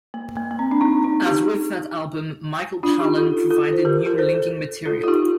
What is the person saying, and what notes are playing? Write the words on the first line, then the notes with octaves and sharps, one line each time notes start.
As with that album, Michael Palin provided new linking material.
A#3
A#3
A#3
C4
D4
C4 D#4
C4 D#4
D#4 G4
D4 F4
D#4 G4
F4 A4
F4 A4
C5
G4 A#4
A#4
A4 C5
F4 A4
F4
D#4 G4